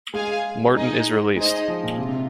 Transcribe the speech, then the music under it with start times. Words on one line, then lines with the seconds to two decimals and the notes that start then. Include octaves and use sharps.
Martin is released.
0.14 G#3 G#4 F5 G#5
0.75 G#3 D#4 G#4 D#5
1.36 G#3 D#4 G#4 C5 D#5
1.68 F3
1.83 A#2
1.98 C3 F4
2.09 C3